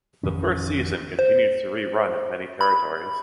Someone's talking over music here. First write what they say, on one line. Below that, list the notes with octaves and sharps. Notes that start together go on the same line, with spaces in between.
The first season continues to re-run in many territories.
A1 F2 D#3 C#4
C5
B5